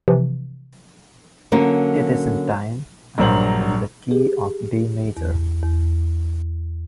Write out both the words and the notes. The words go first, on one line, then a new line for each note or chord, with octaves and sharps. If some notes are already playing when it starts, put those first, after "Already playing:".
It is in time and in the key of D major.
C3 E3 F3
D3 F#3 A#3 C#4
A#1 G2 F#3 A#4 C5 F#7
G4 G#4
E2
E2